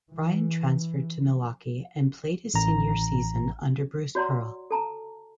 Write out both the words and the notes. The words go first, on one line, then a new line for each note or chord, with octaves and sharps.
Ryan transferred to Milwaukee and played his senior season under Bruce Pearl.
E3
A1 A#5
F#4 C#5 D5 F#5 A#5 C6
A4 A5 A#5